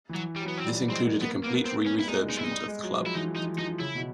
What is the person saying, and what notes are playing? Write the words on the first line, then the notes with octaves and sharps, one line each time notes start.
This included a complete re-refurbishment of the club.
E3
F#3
G3
F#3
B3
C4
G3
F#3
G#3 C4
A#3
A#3 B3
A#3 B3
A#3
C4
A#3 C#4
G3 E4
G#3 D#4
G#3 D#4
E4
D#4
G3
G#3
F#3
F3
E4
E3 D#4
F3 D#4
F3 D#4
C#3 E4
B2